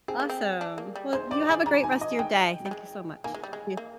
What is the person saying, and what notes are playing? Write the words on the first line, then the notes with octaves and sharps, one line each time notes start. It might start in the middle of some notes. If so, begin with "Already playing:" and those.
Awesome. Well, you have a great rest of your day. Thank you so much. Talk to you
C4 G#4
A#3
C4
D4
A#3
G3
G#3 C5
G3 D5
G#3 G#5
G#3 A#5
G#5
D#5
G#3 G5
G3
G#3
A#3 G#5
G#3
G3
G#3
A#3